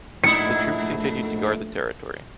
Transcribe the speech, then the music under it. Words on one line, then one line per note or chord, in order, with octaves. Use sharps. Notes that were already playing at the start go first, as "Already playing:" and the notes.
The troops continued to guard the territory.
A#1 G#2 A3 D#4 E4 C#7